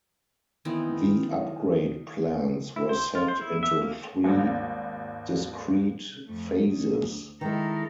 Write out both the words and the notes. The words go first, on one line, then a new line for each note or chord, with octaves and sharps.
The upgrade plans were set into three discrete phases.
D#3 E3 B3 C4
E4
C5
F4
C5
E4
E5
A#3
G#1 D#2
F2 A3
D2
D#3 G#3 E4 A4 A#4